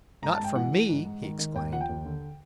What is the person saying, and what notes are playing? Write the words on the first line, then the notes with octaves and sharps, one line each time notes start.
"Not from me!" he exclaimed.
G#2 A#5
A5
G#2 G5
E3 F#5
E3
G#2
G#2
D#3
D#3
D#2 G5
F3 F#5
G5
D#2
D3